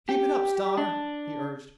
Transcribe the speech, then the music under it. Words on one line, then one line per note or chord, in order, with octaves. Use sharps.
"Keep it up, Star!" he urged.
G4
D4